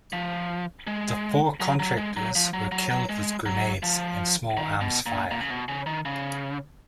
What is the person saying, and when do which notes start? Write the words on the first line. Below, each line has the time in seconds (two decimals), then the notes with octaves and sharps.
The four contractors were killed with grenades and small arms fire.
0.13 F3
0.87 G#3
1.60 F#3
1.80 F#3
1.97 G#3
2.16 F#3
2.35 F3
2.53 F#3
2.72 F#3
2.90 F#3
3.09 G#3
3.46 F#3
3.83 F3
4.57 D#3
4.81 B2
5.06 A#2
5.31 A#2
5.41 C#3
5.50 B2
5.68 C#3
5.86 D#3
6.05 C#3